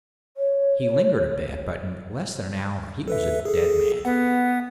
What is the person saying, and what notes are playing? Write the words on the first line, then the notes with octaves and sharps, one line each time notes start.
He lingered a bit; but in less than an hour he was a dead man.
C#5
A4 B4 E5
G#4 A4
B3 F#5